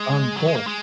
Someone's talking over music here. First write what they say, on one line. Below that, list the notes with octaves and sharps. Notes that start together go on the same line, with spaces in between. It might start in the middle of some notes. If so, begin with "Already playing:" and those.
Um, both.
Already playing: G#3
F#3
G#3
A#3
G#3